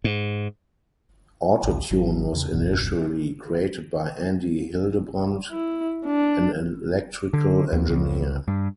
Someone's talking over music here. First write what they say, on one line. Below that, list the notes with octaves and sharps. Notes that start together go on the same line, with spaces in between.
Auto-Tune was initially created by Andy Hildebrand, an electrical engineer.
G#2
A1 D2
G#1 F#3
E2 C#3
E1 C#2 F#2 B2
E4
D4
D3
D#2
C#2
G2